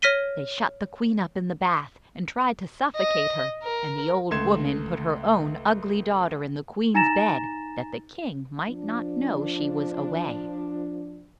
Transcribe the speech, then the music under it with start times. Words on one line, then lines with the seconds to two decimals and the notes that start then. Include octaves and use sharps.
They shut the queen up in the bath, and tried to suffocate her, and the old woman put her own ugly daughter in the queen's bed that the king might not know she was away.
0.02 C#5 F6 A#6 B6 D#7 G7
2.96 D#5
3.63 A#4
4.31 C#2 A3 C6 G#6 E7
6.94 D#4 G#5 A#5 A6 A#6 E7
8.69 F3 D4